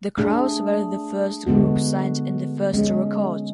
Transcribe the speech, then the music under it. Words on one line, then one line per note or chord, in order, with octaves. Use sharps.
The Crows were the first group signed and the first to record.
A3 D4 G#4
D3 G#3 B3 F#4
G#3 C#4 G#4